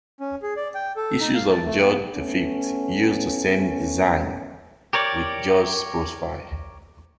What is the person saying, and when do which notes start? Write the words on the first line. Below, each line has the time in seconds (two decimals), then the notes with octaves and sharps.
Issues of George the Fifth used the same design with George's profile.
0.20 C#4
0.42 G#4
0.57 D5
0.75 G5
0.96 A4
1.20 D#4
1.34 F5
1.52 A5
1.66 A3
1.82 B3
2.13 A3 B3 C#4
4.93 G4 A#4 C#5 D5